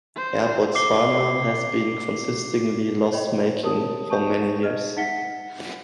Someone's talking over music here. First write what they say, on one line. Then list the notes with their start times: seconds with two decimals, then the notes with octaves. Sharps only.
Air Botswana has been consistently loss-making for many years.
0.16 C5
0.75 D6 C7 G7
3.13 C#5 D#5 G5 B5
3.63 G4 A#4 C#5 A5 D#6
4.10 A5 C#6 G6 E7
4.63 D#5 F6
4.97 D#4 E5 F#5 B6 C#7 G7